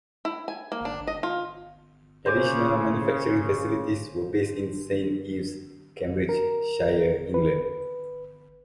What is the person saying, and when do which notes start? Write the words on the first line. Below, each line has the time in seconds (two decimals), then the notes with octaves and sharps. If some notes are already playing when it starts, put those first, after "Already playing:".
Additional manufacturing facilities were based in Saint Ives, Cambridgeshire, England.
0.25 E4
0.48 G#5
0.72 A#3
0.85 D4
1.07 D#5
1.23 F4
2.26 C#3 C5 G#5 D6
6.29 A#4
7.34 B4